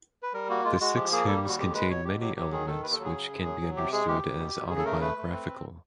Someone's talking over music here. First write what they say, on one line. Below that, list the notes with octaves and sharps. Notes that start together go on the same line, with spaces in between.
The six hymns contain many elements which can be understood as autobiographical.
B4
G3 A#4
A#3 F#4
G#3 F4
G#3 F#4
F3 G4
A#3 G#4
G3 A4
G4
D#2
F#4
F2 G4
G#3 B4
B2 C#5
B2 G4
F#3 G4
F#3 G4
D#3 G#4
D#3 A4
D#2 B4
A4
F#3
G#4
C#3
F#2
F#3
F#3
C3 G4
G#3 G#4
D2 G4
D2
B2
B2
C#3 G#4
A4
A3 A#4
A3 B4
A3
C4